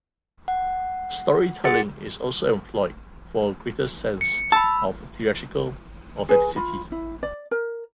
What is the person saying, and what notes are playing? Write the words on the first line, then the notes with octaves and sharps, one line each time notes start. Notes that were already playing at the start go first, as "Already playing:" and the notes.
Storytelling is also employed for a greater sense of theatrical authenticity.
F#5
F#4 G#4 F#5 A6 C#7
C#7
A5 B5 E6
G#4 B4
F4 B5
E4
D5
A#4